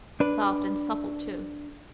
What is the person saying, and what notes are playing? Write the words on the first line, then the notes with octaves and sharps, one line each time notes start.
Soft and supple too.
D4 B4